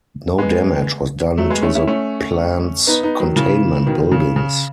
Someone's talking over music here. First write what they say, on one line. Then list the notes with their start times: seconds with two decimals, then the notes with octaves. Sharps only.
No damage was done to the plant's containment buildings.
0.38 G#3 B3
1.38 F#3 A3
1.50 G#3 B3
1.62 A3 C#4
1.75 C#4 E4
1.87 A3 C#4
2.87 B3 D#4
3.03 B3 D#4
3.20 D#3 F#3
3.36 C#3 E3
3.86 B2 D#3
4.12 C#3
4.36 C#3